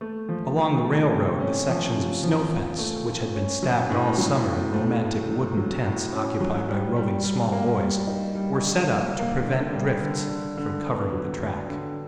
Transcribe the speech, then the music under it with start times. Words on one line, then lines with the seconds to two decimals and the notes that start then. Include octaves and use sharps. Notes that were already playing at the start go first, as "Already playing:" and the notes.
Along the railroad the sections of snow fence, which had been stacked all summer in romantic wooden tents occupied by roving small boys, were set up to prevent drifts from covering the track.
0.01 A3
0.29 F3
0.57 F3
0.85 A3
1.12 C3
1.40 C#4
1.68 F3
1.96 C3
2.23 F3
2.51 F3
2.79 A3
3.08 A3
3.35 C#4
3.63 F#3
3.90 A2
4.18 F#3
4.47 A2
4.73 A3
5.01 A3
5.29 F#3
5.57 F#3
5.85 A2
6.12 C#4
6.41 F#3
6.68 G3
6.96 G3
7.24 G3
7.52 A#3
7.79 G3
8.07 D#4
8.35 G3
8.62 D3
8.91 A#3
9.19 A#3
9.46 D3
9.74 G3
10.02 D3
10.29 D3
10.57 D3
10.86 B3
11.13 F#3
11.41 D3
11.69 D3